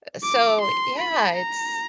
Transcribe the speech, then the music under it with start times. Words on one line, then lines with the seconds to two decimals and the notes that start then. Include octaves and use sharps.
Uh, so, yeah, it's
0.23 D6
0.61 C6
0.99 B5
1.36 A#5